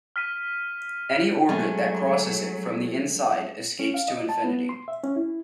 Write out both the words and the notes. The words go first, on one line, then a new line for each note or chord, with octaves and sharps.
Any orbit that crosses it from the inside escapes to infinity.
F6 B6 D#7
F#3 G#3 A3 C#4
C#4
F5
D#5
A5
B3
C6
E5
C#4
E4